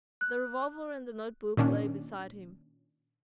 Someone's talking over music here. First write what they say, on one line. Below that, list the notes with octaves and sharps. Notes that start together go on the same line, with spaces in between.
The revolver and the notebook lay beside him.
F#6
A#2 D#3 C#4 D4